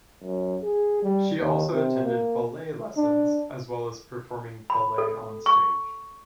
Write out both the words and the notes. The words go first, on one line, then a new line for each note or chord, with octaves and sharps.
She also attended ballet lessons, as well as performing ballet on stage.
F#2
G#4
G3
D#2
C3
A#3
D4
B5
A4
C#6